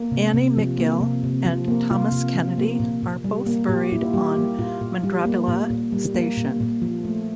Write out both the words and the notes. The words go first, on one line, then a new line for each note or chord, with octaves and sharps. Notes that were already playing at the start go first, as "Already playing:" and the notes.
Annie McGill and Thomas Kennedy are both buried on Mundrabilla Station.
Already playing: A#3
C3
C3
F3
A#3
C3
C3
F3
A#3
C3 F4
C3
F3
A#3
A#2
A#2
G3
A#3
A#2 G4
A#2 E4
F4
G3 G4
A#3
A#2 F4
A#2
G3
A#3
A#2
A#2
G3
A#3
A#2
A#2
F3
A3